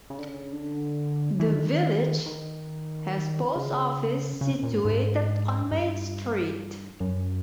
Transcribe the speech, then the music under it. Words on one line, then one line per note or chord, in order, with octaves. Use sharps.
The village has Post Office situated on Main Street.
C#3
D3
C#3
D3
E3
D#3
D3
D#3
D#3
C#3
C#3
A#2
G#2
G#2
G2
F#2